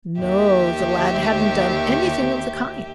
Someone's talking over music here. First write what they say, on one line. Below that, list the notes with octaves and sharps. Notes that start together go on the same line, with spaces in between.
No, the lad hadn't done anything of the kind.
D#2 G4 E5